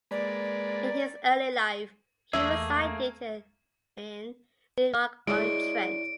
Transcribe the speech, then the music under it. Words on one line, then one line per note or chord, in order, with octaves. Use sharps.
In his early life, he resided in Newark-on-Trent.
G#3 A#3 B4 D5
E2 A3 A#3 G#4 E5
G#3 E4 C#5 D5 D7